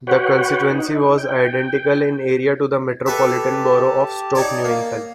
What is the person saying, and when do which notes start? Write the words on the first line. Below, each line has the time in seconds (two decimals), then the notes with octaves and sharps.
The constituency was identical in area to the Metropolitan Borough of Stoke Newington.
0.07 F#4 B4 C#5 F#5 G5
0.70 D#4
1.18 G5
3.06 G4 A4 B4 E5 A5
4.35 D#4 C#5 D5
4.64 A#3